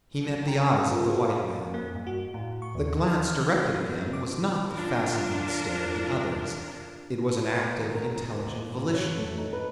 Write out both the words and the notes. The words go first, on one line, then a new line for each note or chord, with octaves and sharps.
He met the eyes of the white man. The glance directed at him was not the fascinated stare of the others. It was an act of intelligent volition.
F#3
G5 A#5
B3 F4 A4 A#4
F4 F#4 G#4 A#4 C5
F4
A#3
G2
F#4
A2
C#6
D#2
F6
F#4
B3
D6
D4 F4 A#4
B3
D#3
A#4
D#3
D#2
A#2
F#3
A3
D#4
B4